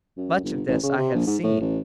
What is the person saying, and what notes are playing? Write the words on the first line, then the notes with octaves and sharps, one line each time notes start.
Much of this I have seen.
F#2
G1
A1
C#3
C3
A#1
G#2
A2
A1